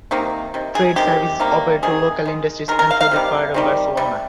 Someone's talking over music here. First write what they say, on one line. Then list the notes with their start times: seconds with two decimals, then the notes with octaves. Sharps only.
Freight services operate to local industries and to the Port of Barcelona.
0.11 C3 D#3 A#3
0.54 C3 D#3
0.75 G#4
0.96 C3 D#3 G#3 G4
1.40 C3 D#3 G3 A#3
1.82 C3 D#3 G#4
2.25 D#3 G#3
2.68 D#3 A#4
2.71 G#3
2.79 A#4
2.91 F5
3.01 F5
3.11 C3 D#3 G3
3.54 C3 D#3 G3
3.97 C3 G3